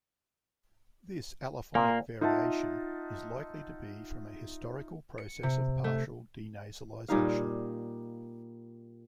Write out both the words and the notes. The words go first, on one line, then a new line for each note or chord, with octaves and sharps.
This allophonic variation is likely to be from a historical process of partial denasalization.
A#2 A#3
D#4 F4 E5 F#5 A5
C#7
C3
A3
A#2 G3 D#4 F5